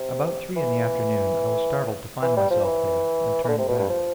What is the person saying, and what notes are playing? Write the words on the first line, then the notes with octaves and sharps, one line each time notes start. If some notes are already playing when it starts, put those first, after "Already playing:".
About three in the afternoon I was startled to find myself there, and turned back.
Already playing: C3
E3
E3
G3
F3
E3
E3
D3
C3
B2
G2
F3